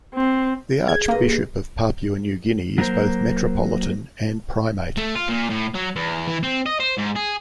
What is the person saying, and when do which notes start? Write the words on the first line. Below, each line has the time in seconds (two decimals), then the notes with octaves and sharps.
The Archbishop of Papua New Guinea is both Metropolitan and Primate.
0.14 C4
0.88 G#4 G#6
1.08 G2 A#3 D#5
2.78 F#3 A#3 D#4 F4 A#4 C5
4.98 A3
5.15 F4
5.29 A#2
5.50 A2
5.75 F#3
5.96 E2
6.27 E3
6.43 C4
6.66 D#5
6.80 C5
6.98 G#2
7.16 G#4